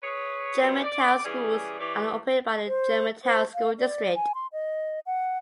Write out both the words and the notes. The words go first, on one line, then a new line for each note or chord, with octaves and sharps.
Germantown schools are operated by the Germantown School District.
G#4 B4 C#5
C3 F#3 G3 B3 C4
D5
E3 G3 C#4 G#4
E3 G4 C#5 D5
C5
C5
F5
D5
G#5
C6
D#5
F#5